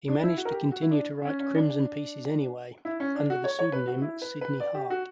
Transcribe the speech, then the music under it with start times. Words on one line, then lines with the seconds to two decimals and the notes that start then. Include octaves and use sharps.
He managed to continue to write Crimson pieces anyway, under the pseudonym Sidney Hart.
0.08 D4
0.24 E4
0.37 F#4
0.45 A#4
0.52 G4
0.72 F#4
0.82 E4
0.91 D4
1.25 C#4
1.40 C#4
1.55 D4
2.85 E4
3.00 C#4
3.15 D4
3.30 F#4
3.44 C#5
3.59 C#5
3.73 B4
3.87 F#4
4.02 E4
4.22 B4
4.41 B4
4.60 D5
4.75 G4
4.90 F#4